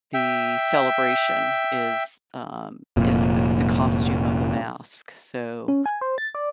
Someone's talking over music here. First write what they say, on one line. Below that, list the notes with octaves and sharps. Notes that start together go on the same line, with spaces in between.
the celebration, is, um, is the the costume of the mask, so,
E5 G5
F1 A#2
C#4
G#5
C5
A6
D5